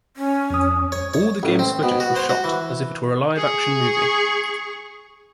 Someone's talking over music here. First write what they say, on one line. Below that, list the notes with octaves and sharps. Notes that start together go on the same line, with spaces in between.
All the game's footage was shot as if it were a live action movie.
C#4
F2 D#6
C#5
C#5
A1
C4
B2
F#4
C5
F#4
E3
G#4 C#6